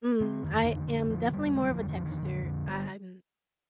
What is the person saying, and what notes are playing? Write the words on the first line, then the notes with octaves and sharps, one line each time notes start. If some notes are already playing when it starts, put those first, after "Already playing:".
Mm, I am definitely more of a texter. I I'm
D3 C4
F2 D#3
D3 D#3
F2 D3
D3 F3
F2 G3
D3 G#3
G3
F3
F2 G3
D#3
F3
D3 D#3
F2 D3
D3
G3